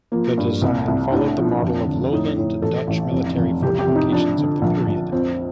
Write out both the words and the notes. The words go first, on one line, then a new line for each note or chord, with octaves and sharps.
The design followed the model of lowland Dutch military fortifications of the period.
F3 A#3
G2
C2
C2
A2 D4
F3
F1
D3
A2 D#4
A2
A1 A4
A1
F1
F1
C2 G4
G4
C3
D#4
F2 D4
D3
A#1
A#1
F2 C4